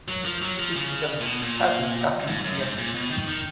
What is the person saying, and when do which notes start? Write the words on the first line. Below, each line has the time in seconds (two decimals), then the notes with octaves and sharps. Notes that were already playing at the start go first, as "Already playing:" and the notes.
It just hasn't happened yet.
0.08 F#3
0.25 F3
0.42 F#3
0.59 F3
0.76 C#3
1.20 A#2
1.26 B2
1.42 A#2
2.28 G#2
2.44 F#2
2.60 G#2
2.78 A#2
2.95 B2
3.11 D#3
3.28 D#3